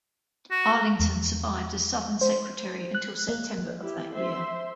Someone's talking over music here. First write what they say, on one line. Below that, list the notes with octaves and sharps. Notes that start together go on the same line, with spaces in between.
Arlington survived as Southern Secretary until September of that year.
F#4
E2
C5
F#6
A#3
E4 G4
C5 E5 C6